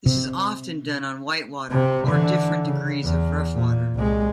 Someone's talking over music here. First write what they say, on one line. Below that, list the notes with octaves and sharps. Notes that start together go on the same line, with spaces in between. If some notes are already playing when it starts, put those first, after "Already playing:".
This is often done on whitewater or different degrees of rough water.
C3
C3
D3 E3
C#3
E2
A#2
C2 G#3